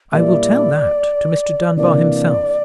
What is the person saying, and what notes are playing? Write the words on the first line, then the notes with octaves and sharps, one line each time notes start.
"I will tell that to Mr. Dunbar himself."
A#2 G3 A#3 E4 D5 E5
C3 E3 A#3 D4 D5